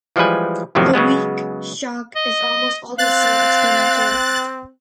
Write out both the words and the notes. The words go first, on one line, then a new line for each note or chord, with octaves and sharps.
The weak shock is almost always seen experimentally.
E3 F3 G3 G#3 B4 G#5
F2 A2 C3 D#3 F3 F#3
C#3 F#3 G#3 B3
D#5
C4 F5 F#6 A6